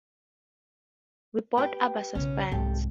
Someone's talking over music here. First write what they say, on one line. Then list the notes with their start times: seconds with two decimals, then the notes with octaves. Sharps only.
We both abhor suspense.
1.58 G4 B4 G5
2.15 B1 C#3 C#4
2.52 C2 G#2 G4 A4